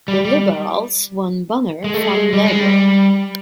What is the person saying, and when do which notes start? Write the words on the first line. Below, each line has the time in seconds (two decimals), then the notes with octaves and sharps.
The Liberals won Bonner from Labor.
0.08 G3
0.25 G3
1.84 G#3
1.94 A3
2.03 G#3
2.33 G3
2.46 G#3
2.59 G3